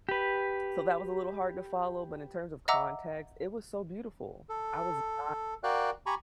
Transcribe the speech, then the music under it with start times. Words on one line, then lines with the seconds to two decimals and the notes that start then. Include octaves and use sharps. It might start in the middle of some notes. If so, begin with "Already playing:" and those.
so, that was a little hard to follow, but in terms of context, it was so beautiful. I was not
0.09 G4 B4
2.68 D#5 E5 F#5 A#5 D6 E6
4.49 A4
5.63 F#4 A#4 D5 F5 G5 F#6
6.06 G4 G#5 A#5 B5 C#6